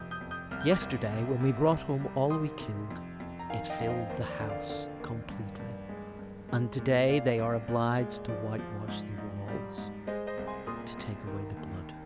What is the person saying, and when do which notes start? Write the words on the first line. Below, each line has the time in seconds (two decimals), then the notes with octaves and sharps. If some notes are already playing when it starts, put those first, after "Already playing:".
Yesterday, when we brought home all we killed, it filled the house, completely; and, to-day, they are obliged to white-wash the walls, to take away the blood.
Already playing: F2 C3 D#6 G6
0.11 D#6 G6
0.21 F2
0.31 D#6 G6
0.51 C2 F6
0.61 G6
0.70 D6 F6
0.81 C2
1.11 C3
1.40 C3
1.71 C2
2.00 G3
2.30 D#3 C6 D#6
2.60 C3
2.90 F2
3.20 F2
3.39 A#5
3.50 D#3 F5 G#5
3.70 D#5 G5
3.80 F2 F5
3.90 C5 D#5
4.10 D#2 C5
4.30 D5
4.39 D3
4.49 D5 F5
4.69 D3 D5 F5
5.00 D#2
5.30 G2
5.59 G2
5.89 G#3
6.19 G2
6.49 G#3
6.79 A#2
7.09 A#2 D5 F5
7.38 C2
7.68 A#2 D5
7.98 G#3
8.28 F3 D5
8.58 F3
8.88 G#2
9.18 G#2
9.48 G3
9.78 G#2
10.07 G#3 C5 D#5
10.27 C5 D#5
10.37 C2
10.47 G#5 C6
10.67 A#2 C6 D#6
10.97 C2
11.27 D#3
11.57 D#2